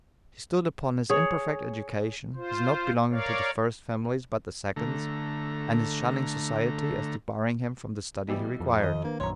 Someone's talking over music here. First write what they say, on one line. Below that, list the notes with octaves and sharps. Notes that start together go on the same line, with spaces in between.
He stood upon his "imperfect education," his not belonging "to the first families, but the seconds"; and his shunning society as debarring him from the study he required.
G#4 C#5
F4 C5
A#4 C#5 D5 F5
D3 A3 A#5
B2 E3 G3
F2
D#3 D#5
A#3 D4 B4
A#1 F#2 C#5 A#5 C6